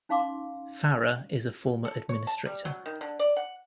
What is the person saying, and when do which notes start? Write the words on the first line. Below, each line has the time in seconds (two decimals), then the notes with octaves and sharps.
Farrah is a former administrator.
0.09 C#4 D#4 F5 C6 D6
1.85 A4
2.09 C#5
2.27 A5
2.46 G3
2.65 F#3
2.86 D#3
3.01 D3
3.19 D5
3.37 F#5